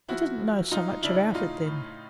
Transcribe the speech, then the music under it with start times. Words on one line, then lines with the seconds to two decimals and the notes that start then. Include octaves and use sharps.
I didn't know so much about it then.
0.08 F3 E4 F#4
0.40 F3
0.71 F3 D#4 F4
1.03 C#3 D4 E4
1.35 A2 D#4 F4
1.66 A2